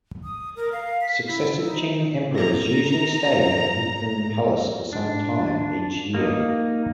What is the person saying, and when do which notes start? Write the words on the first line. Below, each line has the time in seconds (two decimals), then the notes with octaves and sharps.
Successive Qing emperors usually stayed at Mukden Palace for some time each year.
0.24 D#6
0.56 A#4
0.72 F5
1.01 B6
1.28 E4
1.62 D#4
2.35 A#5 A#6
4.93 D4
6.15 A#3 D#4